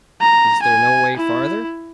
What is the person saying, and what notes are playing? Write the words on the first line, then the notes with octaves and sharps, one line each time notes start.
"Is there no way farther?"
A#5
G#5
E4